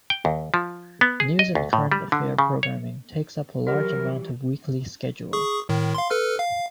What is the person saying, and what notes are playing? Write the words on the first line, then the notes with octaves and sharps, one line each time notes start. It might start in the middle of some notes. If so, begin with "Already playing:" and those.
News and current affairs programming takes up a large amount of the weekly schedule.
G5
D#2
F3
B3
G#4
D#5
D2
A2
G3
D3
C#3
C#5
E3 F#3 G3 G4 A#4
G#4 C#6 D#6
A2 D#3
F5 C6
A4 B4 F6
F5